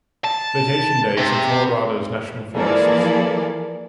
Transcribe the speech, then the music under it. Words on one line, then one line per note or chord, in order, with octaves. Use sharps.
Vacation days in Colorado's national forests.
A5
C3
E3 F3 A#3 G#4 A4 D5